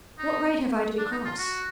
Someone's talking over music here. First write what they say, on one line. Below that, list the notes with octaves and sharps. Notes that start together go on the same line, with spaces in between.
"What right have I to be cross?"
D#4
D4
D#4
F4
F#4